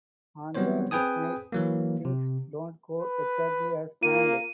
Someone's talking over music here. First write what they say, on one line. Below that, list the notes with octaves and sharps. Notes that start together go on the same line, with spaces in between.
On the big night, things don't go exactly as planned.
F#3 G3 B3 C4 C5 C#5
C4 G#4 B4 G5 G#5 D#6
E3 F#3 A#3
C3
B4
A#3 F4 A#4 D#7